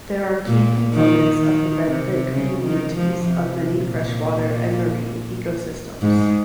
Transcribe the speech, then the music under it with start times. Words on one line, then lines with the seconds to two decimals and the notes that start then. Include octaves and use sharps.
They are key components of the benthic communities of many freshwater and marine ecosystems.
0.47 A#2
0.93 D#3
1.40 D#3
1.86 C3
2.32 C#3
2.63 D#3
2.94 F3
3.24 C3
3.71 A#2
6.02 G#2